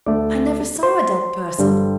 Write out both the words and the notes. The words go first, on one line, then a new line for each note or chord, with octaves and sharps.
'I never saw a dead person.
D2 D3 A3 D5
C5
G2 D3 G3